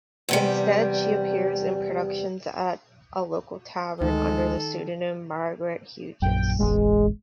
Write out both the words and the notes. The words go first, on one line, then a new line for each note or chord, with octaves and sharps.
Instead, she appears in productions at a local tavern under the pseudonym Margaret Hughes.
E2 C3 G3
D2 D#3 G#3 A4
A#1 F#2 G5
E1 A1 E2 G#3